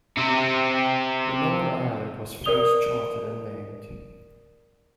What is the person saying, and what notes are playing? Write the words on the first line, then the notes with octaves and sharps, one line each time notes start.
Renaud Island was first charted and named.
C3 C4
A#4 D5 D#6 F7 G7